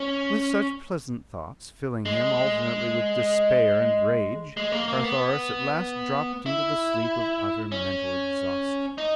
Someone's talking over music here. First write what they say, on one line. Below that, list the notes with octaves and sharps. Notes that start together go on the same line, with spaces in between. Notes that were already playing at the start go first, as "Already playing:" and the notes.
With such pleasant thoughts filling him alternately with despair and rage, Carthoris at last dropped into the sleep of utter mental exhaustion.
Already playing: C#4
G#3
G#3
A#3
A#3
B3
E4
C#4
D#4